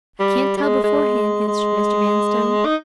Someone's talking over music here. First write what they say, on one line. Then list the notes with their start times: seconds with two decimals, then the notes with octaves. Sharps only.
"I can't tell beforehand," answered Mr. Vanstone.
0.20 G3
0.57 G3
0.62 G#3
0.84 G#3
1.47 G#3
2.65 D#4